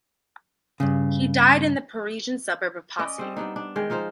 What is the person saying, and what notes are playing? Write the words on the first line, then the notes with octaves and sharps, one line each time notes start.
He died in the Parisian suburb of Passy.
G2 C#3
C#4 D5 D#5
G3 C4
G3 B3 D4 D#4
D4
D#3 G#3 G5
F3 D#4 F4 C5